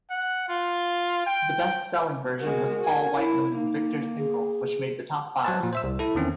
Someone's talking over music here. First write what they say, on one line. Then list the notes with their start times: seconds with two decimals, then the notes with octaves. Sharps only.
The best-selling version was Paul Whiteman's Victor single, which made the top five.
0.10 F#5
0.49 F4
1.27 G5
2.41 G#3 F#4 A#4
2.80 F#4 G#5
3.16 E4
3.55 A#3 D#4
4.18 G#4
5.44 F#3 C5 A5
5.61 A#2 F3
5.73 C5 E5 E6
5.84 C2
5.99 E4 A4
6.15 E2 D#3 C4 C#4